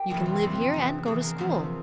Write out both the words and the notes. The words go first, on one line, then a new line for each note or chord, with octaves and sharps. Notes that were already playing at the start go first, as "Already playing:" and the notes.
You can live here, and go to school.
Already playing: G4 A#4
F2 C3 E3 E4
F4
F2 C3 E3
E2 E3
E2 E3 G#4
A#4
E2 C3 F3